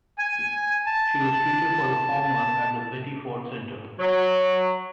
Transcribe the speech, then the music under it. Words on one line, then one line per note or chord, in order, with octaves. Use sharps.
She was treated for the former at the Betty Ford Center.
G#5
A5
F#3